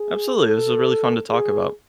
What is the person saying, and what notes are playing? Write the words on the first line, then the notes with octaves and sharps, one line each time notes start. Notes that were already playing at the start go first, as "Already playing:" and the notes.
Absolutely, this was really fun to talk about.
Already playing: G#4
A4
G#4